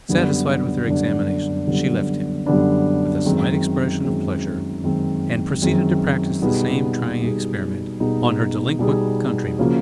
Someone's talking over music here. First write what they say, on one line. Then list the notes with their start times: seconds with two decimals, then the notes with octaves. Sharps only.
Satisfied with her examination, she left him, with a slight expression of pleasure, and proceeded to practise the same trying experiment on her delinquent countryman.
0.09 F#2 D3 G3 B3 D4
0.88 F#2 D3 G3 B3 D4
1.67 F#2 D3 G3 B3 D4
2.46 F#2 D3 G3 B3 D4
3.25 F#2 D#3 G#3 C4
4.04 F#2 D#3 G#3 C4
4.84 F#2 D#3 G#3 C4
5.62 F#2 D#3 G#3 C4
6.42 B2 G3 B3 D#4 G#4
7.21 B2 G3 B3 D#4 G#4
8.00 B2 G3 B3 D#4 G#4
8.79 B2 G3 B3 D#4 G#4
9.58 C#3 F3 A#3 C#4 F#4